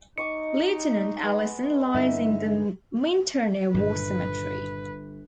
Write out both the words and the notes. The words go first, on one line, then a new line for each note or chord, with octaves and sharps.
Lieutenant Allison lies in the Minturno War Cemetery.
D#4 D#5 C#6 D6 C#7
G#3 B3
G2 D3 D#4 E4 E5
G1 G2 A#2 D#3 B4